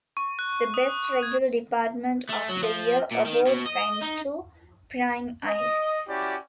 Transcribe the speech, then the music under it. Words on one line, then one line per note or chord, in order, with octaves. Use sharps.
The Best Regular Department of the Year award went to Prying Eyes.
C#6
F#6
D#6
C#6
G#6
A3
F#3
F3
A#2
D#3
B2
D#5
D#4
D#5
C#4 E4 F#4 G4 D5